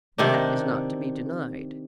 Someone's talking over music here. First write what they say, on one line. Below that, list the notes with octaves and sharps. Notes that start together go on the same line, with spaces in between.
That is not to be denied.
C3 D#3 D4